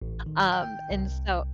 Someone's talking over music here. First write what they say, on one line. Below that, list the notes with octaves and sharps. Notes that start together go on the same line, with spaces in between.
um, and so
A1
D#3
G5
C2